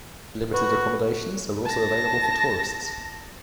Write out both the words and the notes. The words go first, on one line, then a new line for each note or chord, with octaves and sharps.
Limited accommodations are also available for tourists.
F#4 B4
A5 A#6